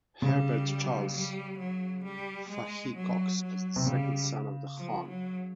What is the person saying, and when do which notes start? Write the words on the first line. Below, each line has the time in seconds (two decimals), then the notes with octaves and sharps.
Herbert Charles Fahie Cox was the second son of the Hon.
0.22 C#3 G3
1.13 G3
1.58 F#3
2.04 G3
2.49 G#3
2.96 F#3
3.41 F#3
3.76 C3
3.86 C#3 G3
4.78 F3
5.08 F#3